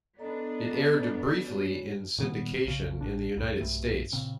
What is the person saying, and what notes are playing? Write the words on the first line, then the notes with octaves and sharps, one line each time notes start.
It aired briefly in syndication in the United States.
B3 D4 A4 D#5 A#5
G#3 F#4 C#5
A#2 D#3 G3 B3
B1 C#3
A1 D4
C2 F#2 A2 C3
B1 G2 A3
A#2 C#3 C4